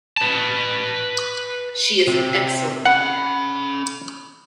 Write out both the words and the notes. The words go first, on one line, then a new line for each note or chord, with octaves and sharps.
She is an excellent player.
B4 A5
C3
C#4 F#5 B5